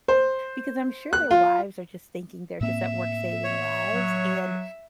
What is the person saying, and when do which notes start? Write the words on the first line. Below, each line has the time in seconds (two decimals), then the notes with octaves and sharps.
because I'm sure their wives are just thinking they're just at work saving lives, and,
0.08 C5
1.13 F#6
1.31 F4
2.61 A2 A#3 C4 E5
3.44 C#5
3.93 F#3